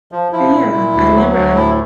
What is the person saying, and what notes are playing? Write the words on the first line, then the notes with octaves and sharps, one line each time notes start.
But, yeah, I never I
F3
F3 E4
A#2
A#2
D2
F#3
D2
A2 E4